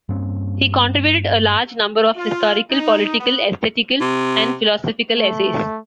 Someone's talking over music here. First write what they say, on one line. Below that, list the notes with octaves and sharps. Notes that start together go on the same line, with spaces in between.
He contributed a large number of historical, political, esthetical and philosophical essays.
G2 A#3 C4 C#4
F4
D#4
B3
C3
A3